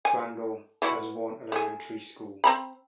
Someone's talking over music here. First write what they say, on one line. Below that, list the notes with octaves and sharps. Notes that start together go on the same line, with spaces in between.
Randall has one elementary school.
G#5
E3 E4 F#4
A3 G#4
C4 A#5 B5